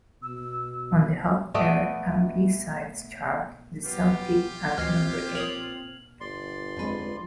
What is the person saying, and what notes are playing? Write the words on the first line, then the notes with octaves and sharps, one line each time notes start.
On the Hot R and B Sides chart, the song peaked at number eight.
B2 E6
A3 B3 D5 D#5
E3 F#3 B3 F4 G4
D2 A#2 E3 C4 D#5 F6 G#6 C7
A#4 C#5 D#6 F7 F#7
G1 D5 C6
F2 F3 G#3 B4